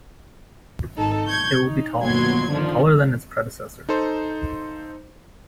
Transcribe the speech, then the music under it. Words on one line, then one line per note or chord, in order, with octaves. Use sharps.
It will be tall, taller than its predecessor.
G#1 D#4 A4
C#6 G6 G#6
D#4
G1 D#2 B2 F#3 C6 G#6
D3 D#3 F3 D4
D#4 A4 C5